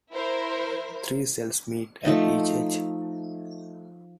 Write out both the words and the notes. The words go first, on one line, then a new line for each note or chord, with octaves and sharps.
Three cells meet at each edge.
E4 A#4 C5
F3 A3 D#4 D#5